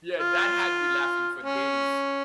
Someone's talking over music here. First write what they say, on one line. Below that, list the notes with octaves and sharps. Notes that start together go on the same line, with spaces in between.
yeah, that had me laughing for days.
F4
C#4